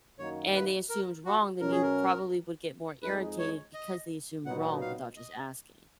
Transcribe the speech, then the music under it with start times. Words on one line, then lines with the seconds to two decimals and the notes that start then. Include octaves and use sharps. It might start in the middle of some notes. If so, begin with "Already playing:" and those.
and they assumed wrong, then you probably would get more irritated because they assumed wrong without just asking.
0.18 F#2 D#3 A#3 D#4 F#4 C#5
0.54 B4
0.90 A#4
1.25 F#4
1.60 B2 F#3 C#4 A#4
1.72 G#4
1.82 A#4
3.03 F2 F3 G#3 D#4 G#4 B4
3.39 C#5
3.74 D#5
4.45 A#2 F#3 B3 D#4 F#4 F#5
4.81 F5
5.17 D#5